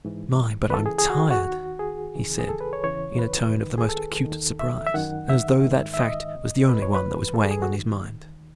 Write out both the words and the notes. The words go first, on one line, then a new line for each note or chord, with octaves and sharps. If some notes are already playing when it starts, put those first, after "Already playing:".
"My, but I'm tired!" he said, in a tone of the most acute surprise, and as though that fact was the only one that was weighing on his mind.
G#2 E3
B4
C#2 C#3 E3 A4
G#4
G#4
F#4
F#4
D#2 D#3
G#4
D#2 C#3 E3
G#4
A4
B4
C#5
E2 C#3 E3 C#5
B4
D#2 D#3
G#4
A4
D#2 D#3
E5
E5
F#2 D#3 F#5
E5
G#2 D#3
E5
D#5
C#2 B2
B4
C#5
B4
G#2 E3
A4
G#4
G#4
F#4
D#2 D#3